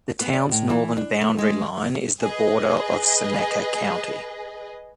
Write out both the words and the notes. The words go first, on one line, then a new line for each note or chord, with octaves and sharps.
The town's northern boundary line is the border of Seneca County.
B3
D5
A2
E3
D4
A3
G#3
G#4 B4 D#5